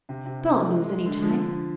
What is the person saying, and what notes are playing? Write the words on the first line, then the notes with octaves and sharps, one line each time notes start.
Don't lose any time.
C3
C3
C3
A3
G#3
G#3
D3
F3
D3